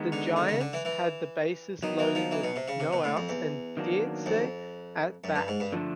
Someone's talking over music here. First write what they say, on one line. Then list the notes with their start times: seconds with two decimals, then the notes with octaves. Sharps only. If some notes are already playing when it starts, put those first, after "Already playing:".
The Giants had the bases loaded with no outs and Dietz at bat.
Already playing: D#3 G#3 B3 D#4
0.12 D3
0.36 D3
0.49 C#3
0.61 D3
0.73 E3
0.85 E3
1.83 D#3 F#3 B3 D#4
1.99 E3
2.15 F3
2.31 E3
2.44 B2
2.56 C3
2.68 C#3
2.80 C3
2.93 B2
3.04 A2
3.17 F2
3.29 E2
3.77 D#3 F#3 A#3 D4
4.26 F2
5.24 F#2
5.36 G2
5.48 G#2
5.60 G2
5.72 D3 F3 A3 D4